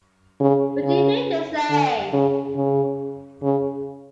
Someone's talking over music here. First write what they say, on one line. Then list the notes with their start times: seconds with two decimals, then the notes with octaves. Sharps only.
What do you mean to say?
0.40 C#3
0.83 C#3
1.70 D3
2.13 C#3
2.56 C#3
3.43 C#3